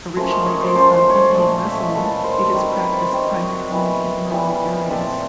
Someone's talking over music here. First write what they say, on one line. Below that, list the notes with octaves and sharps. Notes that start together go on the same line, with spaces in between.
Originally based on Indian wrestling, it is practiced primarily in rural areas.
F3 A3 C#4 A#4 C5
C#5 D#5
C#5 D#5
C5 D5
F3 A3 C#4 C5 D5
C#5
C5 D5
A#2 F3 A3 C#5 D#5
E5
C#5 D#5
A#2 F3 A3 A4 B4
A#4 C5
D#3 G3 C4 B4 C#5
B4 C#5
C5 D5
D#3 G3 C4 C#5 D#5
C#5 D#5
E3 G3 B3
E3 G3 B3
D#5
A#2 F3 A3 C4 D5 E5